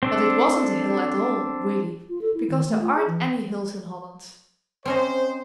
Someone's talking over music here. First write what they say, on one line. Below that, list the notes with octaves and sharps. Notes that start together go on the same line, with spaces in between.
But it wasn't a hill at all, really, because there aren't any hills in Holland.
C4 D4 A4
F4
A4
E4
D#3
A3
F4
G#4
E3
C4 C#4 C5 D#5